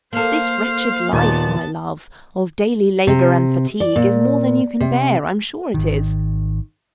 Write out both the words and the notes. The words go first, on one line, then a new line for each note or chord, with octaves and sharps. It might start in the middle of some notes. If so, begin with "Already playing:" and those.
This wretched life, my love, of daily labour and fatigue, is more than you can bear, I am sure it is.
A#3 A4 C5 F5
D#2 A#2 B3 A5
C3
D5
A#2
C3
G#1 D#3